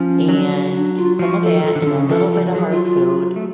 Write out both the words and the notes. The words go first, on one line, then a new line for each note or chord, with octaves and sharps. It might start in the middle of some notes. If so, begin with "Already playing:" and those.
and some of that and a little bit of hard food
Already playing: F3 C#4
F#3
D4
F4
F3 F#4
A4
F3 A4
D3
F3
D3
C#3
F3 A4
A4
F#3 G#4
F4
F4
A3